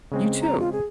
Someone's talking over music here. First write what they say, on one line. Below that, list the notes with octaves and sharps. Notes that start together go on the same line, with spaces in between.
You too.
C#3 G#3 C4
A#5
F4
G#4